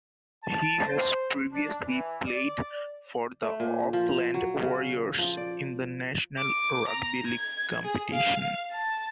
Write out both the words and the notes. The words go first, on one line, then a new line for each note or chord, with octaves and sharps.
He has previously played for the Auckland Warriors in the National Rugby League competition.
A5
C5
D4
E3
D5
A3
A#2
F3
F#3
C#3
F3
D5
D6
A#5
G#6
G#4
F5
A5